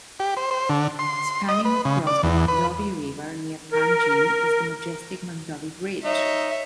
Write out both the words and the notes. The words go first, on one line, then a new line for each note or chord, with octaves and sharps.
Spanning across the Mandovi River near Panjim is the majestic Mandovi Bridge.
G4
C5
C5
D3
C6
D#5
B4
C#3
D5
E2
B4
A#4
D#4 C#5 E5